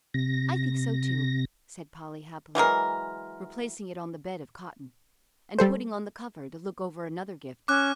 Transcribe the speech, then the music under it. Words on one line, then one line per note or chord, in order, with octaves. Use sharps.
"I think so too," said Polly, happily, replacing it on the bed of cotton, and putting on the cover to look over another gift.
C3 A#6
E3 F#3 G#3 A#4
G3 A4 C5
C#4 D6 F#6